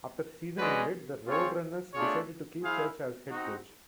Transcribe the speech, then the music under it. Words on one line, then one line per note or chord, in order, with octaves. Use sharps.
After the season ended, the RoadRunners decided to keep Church as head coach.
G#3 C#4 F#4 B4 D5
C4 F4 G#4 C#5
A3 D4 F4 G#4 C#5
E4 G#4 C5 F5
C4 D#4 F#4